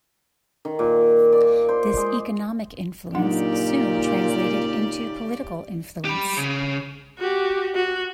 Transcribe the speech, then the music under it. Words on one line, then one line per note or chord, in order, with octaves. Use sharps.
This economic influence soon translated into political influence.
D#3
A#2
D5
C5
G#3
A#2 C#3 F#3 D4 D#4 G4 D5 F#5
G4 B5
C#3
F#4 G4
F#4